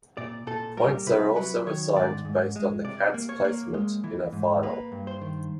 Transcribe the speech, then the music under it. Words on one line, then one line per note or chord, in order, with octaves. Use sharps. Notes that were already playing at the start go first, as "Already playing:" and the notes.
Points are also assigned based on the cat's placement in a final.
A#2 D5
A#2 A4
G3 A#4
C3 B4
F#3 B4
D#3 C#5
G#2 D5
G#2
G#3
C3 D5
A#3
C#5
A#3
G#3
E3
G#2
A#3 B4
G2
C5
D#3